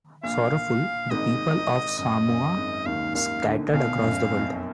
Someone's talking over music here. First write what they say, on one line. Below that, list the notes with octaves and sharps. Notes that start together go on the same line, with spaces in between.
Sorrowful, the people of Samoa scattered across the world.
A#1 A#2 F5
G#1 G#2 D#5
F#2 D#5
F#2
G#1 G#2
D#2 D#3 F5
D#2 D#3 F5
D2 D3
B1 B2 F5
F#2
F2